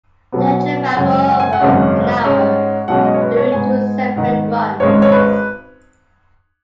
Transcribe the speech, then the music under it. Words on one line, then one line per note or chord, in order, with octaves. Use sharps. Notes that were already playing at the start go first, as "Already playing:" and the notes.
The engine ran for over an hour during two separate runs.
B1 B2 F#3 B3
F#5
F#2 C#3 G#3 C#4 G#5
F#5
G#5
F#5
G#1 F#2 C#3 G#3 C#4
G#2 G#3 C#4
B1 B2 G#3 C#4 F#5
D#5
C#5
B4
C#5
G#2 G#3 B3 G#5
G#2 D#3 B3 F#5
G#1 G#2 G#3 C#4 C#5
C#5
B4